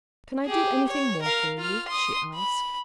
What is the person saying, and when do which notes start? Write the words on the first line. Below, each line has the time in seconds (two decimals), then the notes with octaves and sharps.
"Can I do anything more for you?" she asked.
0.46 G4 G#4
0.87 C#5
1.22 A#4 F5
1.58 F4 F6
1.88 C6 D#6
2.35 B5